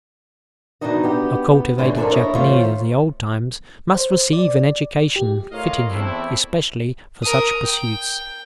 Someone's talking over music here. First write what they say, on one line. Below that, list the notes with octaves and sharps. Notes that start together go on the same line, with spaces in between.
A cultivated Japanese of the old times must receive an education fitting him especially for such pursuits.
B2 E3 G3 D4 D#4 D#5
B3 G4
A2 D3 E3 G#3
F2 D4 A4 A#4 A5
E4 C#5 D#5
D#3 F3 A3 C#4 F4
C5
D5
G4
A2 F4 A#4 C#5 D#5 F5
E2 A2 A3 C4 D4 E4
A#4 D#6
G5